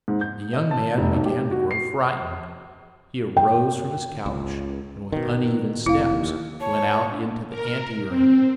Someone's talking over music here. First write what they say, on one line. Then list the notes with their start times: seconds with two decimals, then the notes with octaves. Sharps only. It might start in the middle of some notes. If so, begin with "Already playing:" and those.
The young man began to grow frightened; he arose from his couch, and with uneven steps went out into the anteroom.
0.08 G#2
0.21 G6
0.53 D#5
0.71 A5
0.98 F1
1.12 B1
1.25 G4
1.51 F#4
1.71 C7
3.37 G5
4.26 C#2
5.12 B2 D#3
5.86 F1 E4 F5
6.13 D#2
6.60 C#5 A5
7.11 D4
7.49 A#4
8.07 C4